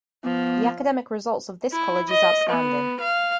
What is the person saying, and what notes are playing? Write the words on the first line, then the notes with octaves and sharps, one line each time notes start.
The academic results of this college is outstanding.
F3 B3
E4
D#5
B3
F5